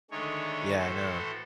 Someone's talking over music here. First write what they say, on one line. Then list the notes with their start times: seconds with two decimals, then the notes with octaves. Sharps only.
Yeah, I know.
0.11 D3 D#3 G#3 A3 C#5
0.78 A2 E3 F#4 A4 C5